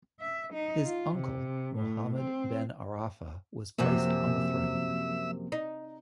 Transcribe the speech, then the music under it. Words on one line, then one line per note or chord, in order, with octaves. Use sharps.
His uncle, Mohammed Ben Aarafa, was placed on the throne.
E5
D#4
F4
C3
A2
C4
F#2 C3 F3 A#3 F#4 E5
D#4